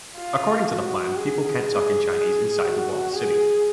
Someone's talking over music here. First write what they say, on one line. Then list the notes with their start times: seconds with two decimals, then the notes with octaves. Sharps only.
"According to the plan, people can't talk in Chinese inside the walled-city".
0.17 F4
0.67 F#4
1.16 G#4
1.65 G#4
2.15 G#4
2.65 F#4
3.14 G#4